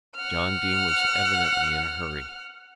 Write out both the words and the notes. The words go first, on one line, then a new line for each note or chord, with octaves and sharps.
John Dene was evidently in a hurry.
F#5 F6